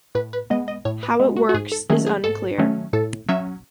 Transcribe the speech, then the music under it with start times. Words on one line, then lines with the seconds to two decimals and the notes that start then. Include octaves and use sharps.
How it works is unclear.
0.15 A2 B4
0.33 B4
0.50 G#3 B3 D#5
0.68 D#5
0.85 A2 C#5
1.03 B4
1.20 G#3 B3
1.37 F#4
1.49 F#4
1.54 G#2 G#4
1.72 A4
1.89 D#3 F#3 A3 C#4 G#4
2.07 G#4
2.24 G#2 A4
2.58 D#3 F#3 A3 C#4
2.93 A2 A4
3.29 F#3 C#4 E5